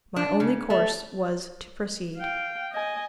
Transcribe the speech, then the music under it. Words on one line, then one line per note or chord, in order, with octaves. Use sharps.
My only course was to proceed.
D4
C#3
A3
F5 G5
D#5 G#5